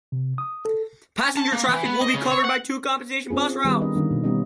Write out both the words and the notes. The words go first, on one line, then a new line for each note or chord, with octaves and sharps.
Passenger traffic will be covered by two compensation bus routes.
C3
D#6
A4
A5
A#3
E3
B3
D#5
C#3
C#5
F#5
C4 C#4 F4 G#4
D#3 G3 B3 G#4 B4
D4 D#4 A#4 D#5
D3 D#3 G3 A#3 C#4 D4
B2
G3 B3 C#4 D#4 D#5